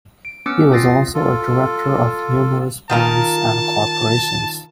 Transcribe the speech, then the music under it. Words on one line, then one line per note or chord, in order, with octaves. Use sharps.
He was also a director of numerous banks and corporations.
D7
B3 C#4 D6 E6 C#7
C4 F4 D#6 A6 A#6 C7
F4 A4
D#3 F4 A#4 A5